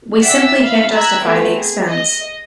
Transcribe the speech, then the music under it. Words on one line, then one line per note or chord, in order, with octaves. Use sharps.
We simply can't justify the expense.
D5 E5 F#5 G5 E6 B6
E5 F5 B5
A#5 B5 E6 F#6 G#6
A3 B3 C4 G4 B4
G#4
D#5